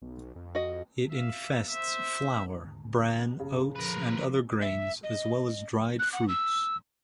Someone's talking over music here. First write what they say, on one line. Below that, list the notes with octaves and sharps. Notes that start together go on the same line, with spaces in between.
It infests flour, bran, oats, and other grains, as well as dried fruits.
B1
F2
F#4 D#5
E5 F5
C5 E5
D#2 G#2 D3
G1 F#2 A#2 C#3
F1 A#2 D3 F3 A#4 B4
D#3
E5
D#5
F#6
F#5
E6